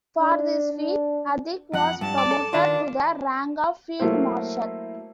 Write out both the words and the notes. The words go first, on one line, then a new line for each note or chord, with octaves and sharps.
For this feat, Hadik was promoted to the rank of Field Marshal.
D4
D4
F2 F#5
G2 A5
D5
A4
D#3 D4 F4
F#3 A3 A#3 E4 C5